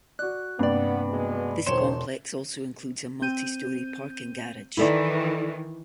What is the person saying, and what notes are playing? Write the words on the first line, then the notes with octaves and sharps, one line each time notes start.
This complex also includes a multistory parking garage.
F#4 D5 F#6
G2 C3 A#3 B3 D5
B2 G#3 B3
E1 D#3 F3 C5 C#5 C6 E7
C4 G6 D#7
D#3 E3 E4 A4 D5